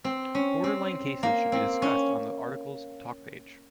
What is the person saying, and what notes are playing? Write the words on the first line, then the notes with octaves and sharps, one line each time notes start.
Borderline cases should be discussed on the article's talk page.
C4
C#4
C4
A#3
C4
C#4